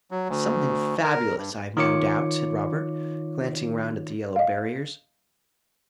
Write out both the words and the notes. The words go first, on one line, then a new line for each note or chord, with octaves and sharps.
"Something fabulous, I have no doubt," said Robert, glancing round at the yellow barriers.
F#3
D2
A#4
G2
D#3 D#4 F4 C#5 D6 C#7
D#5 F5